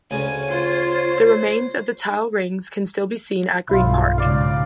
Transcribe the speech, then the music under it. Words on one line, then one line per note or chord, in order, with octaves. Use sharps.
The remains of the tile rings can still be seen at Green Park.
D2 C#3 C#5 G#5
F4 C5
B1 G2 E4 F4
G#2 C#3 D5 F5